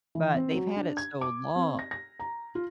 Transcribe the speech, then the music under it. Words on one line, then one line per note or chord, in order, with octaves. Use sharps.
but they've had it so long.
E3
C4
F#3
D4
G#6
D6
C4
A#6
A#6
A#5
F4